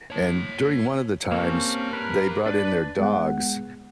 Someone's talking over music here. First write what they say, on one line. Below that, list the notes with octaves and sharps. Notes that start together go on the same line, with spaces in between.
and during one of the times, they brought in their dogs,
C#5 A5
A#3 C4 C#4 G4 A5
A#4 B4
D4 B4
G#3 B3 F#5